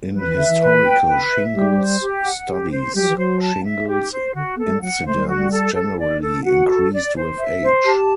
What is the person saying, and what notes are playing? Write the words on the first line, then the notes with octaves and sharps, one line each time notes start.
In historical shingles studies, shingles incidence generally increased with age.
F#3 B4
E3
D3 E5
E3
B4
G5
B4
E5
G3 G4
C5
G4
F#5
G4
C5
G3 G4
F#3
E3
F#3 C5
A5
E5
G4
C5
D3 F#4
B3 A4
A3
G3
F#3 F#5
A3 C5
G3
F#3 F#4
G3
A4
A4
D5
A4
F#4 F#5
A4
D5
C5
E5
C5
G4 A5